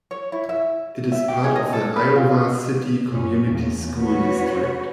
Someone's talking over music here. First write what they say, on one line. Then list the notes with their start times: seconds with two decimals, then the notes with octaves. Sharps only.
It is part of the Iowa City Community School District.
0.11 C#5
0.32 E4
0.49 E5
1.12 E5
1.28 G4
1.44 G#4
1.55 D#5
1.73 A4
1.96 B4
2.16 F4
3.13 F#2 C#4
3.48 E2 C#3
3.96 C#4 F#4 B4 C#5